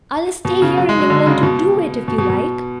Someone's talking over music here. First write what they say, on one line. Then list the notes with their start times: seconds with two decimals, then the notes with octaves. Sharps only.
I'll stay here in England to do it, if you like.
0.45 B2
0.62 C#3
0.78 F#3
0.89 G#3
0.99 F#3
1.10 D3
1.26 C#3
1.43 B2
2.08 B2
2.18 B2
2.30 B2